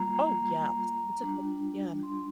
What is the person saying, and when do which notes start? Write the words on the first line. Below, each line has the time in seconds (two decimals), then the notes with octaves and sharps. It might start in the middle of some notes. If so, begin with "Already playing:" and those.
Oh, yeah. S It's okay. Yeah.
Already playing: G3 A#3 F4 A#5
1.20 G3 D4 F4
2.03 C6